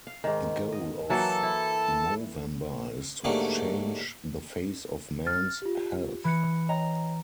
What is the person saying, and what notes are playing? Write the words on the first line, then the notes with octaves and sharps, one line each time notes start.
The goal of Movember is to change the face of men's health.
F5
G#2 D#3
D#5
E3 F#3 A#3 A4 A5
E4
G#2 D3 F#3 G3 A3 A#3
F6 A6
F4 G4
E3 B5 F#6 C#7
C#5 D#5 G5 A#5